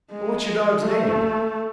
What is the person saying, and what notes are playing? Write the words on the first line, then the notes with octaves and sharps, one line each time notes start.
"What's your dog's name?"
G#3
G#3
A3